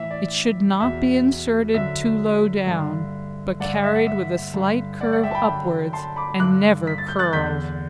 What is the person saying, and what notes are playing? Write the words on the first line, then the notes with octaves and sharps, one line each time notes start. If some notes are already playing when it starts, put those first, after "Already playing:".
It should not be inserted too low down, but carried with a slight curve upwards, and never curled.
Already playing: A2 E3 E5
D5
E2 B2 E5
F#2 D3 E5
G2 D3
G2 D3 D5 F#5
E5
F#5
E5
G2 D3
D5 F#5
D5 F#5
E5 G5
A5
G5 B5
F#2 D3
A5 C6
B5 D6
G2 D3 D6 F#6
B6
A6
G6
F#6 A6
E2 D3 G6 B6